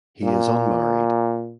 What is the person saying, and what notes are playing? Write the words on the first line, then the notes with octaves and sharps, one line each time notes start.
He is unmarried.
A#2